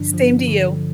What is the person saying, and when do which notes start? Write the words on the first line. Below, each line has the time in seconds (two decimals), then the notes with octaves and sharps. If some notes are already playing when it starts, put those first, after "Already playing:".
Same to you.
Already playing: G2 D3 F3 D4
0.14 F3
0.47 D3